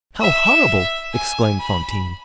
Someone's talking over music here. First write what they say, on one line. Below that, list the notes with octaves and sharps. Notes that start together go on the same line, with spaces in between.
"How horrible!" exclaimed Fantine.
E5
G#5
B5